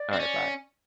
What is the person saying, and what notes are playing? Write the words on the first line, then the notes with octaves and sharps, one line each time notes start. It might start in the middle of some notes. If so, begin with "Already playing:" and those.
Alright, bye.
Already playing: D5
C4
C#4